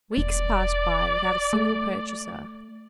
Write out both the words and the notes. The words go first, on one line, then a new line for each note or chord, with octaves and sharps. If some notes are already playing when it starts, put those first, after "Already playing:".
Weeks passed by without a single purchaser.
E1 D5
A3